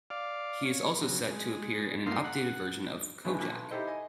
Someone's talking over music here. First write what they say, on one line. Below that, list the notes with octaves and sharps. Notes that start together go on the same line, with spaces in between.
He is also set to appear in an updated version of "Kojak".
D5 F5
C#5
C#3 F#3
G#3
G2 A3 A#3 D#4 F5 C6
F#5
D2 G#2 C#3 F3 G#3 B3
A#2 D3 F3
B1
D#4 E4 G4 A4 C5 D#5
D#5 G#5